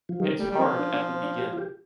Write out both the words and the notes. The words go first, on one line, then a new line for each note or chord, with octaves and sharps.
It’s hard at the beginning.
F3
D#3 G3
G3 A3
G3
F3 C4
D4
D4
C4
D4
G4
F4
G4